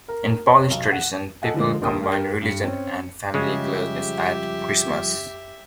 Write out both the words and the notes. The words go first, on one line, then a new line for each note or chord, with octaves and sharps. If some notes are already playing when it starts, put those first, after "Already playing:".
In Polish tradition, people combine religion and family closeness at Christmas.
A#4
C#5
B1
F#5
A4 D#5 F#5 G#5
D3 F3 G#3
D#1 A#1 A#4 G5 D#6
G2 G4 A#4
G2 C#7
C4 C#4
C#3 F3 G3 G#3 F4 G4 E5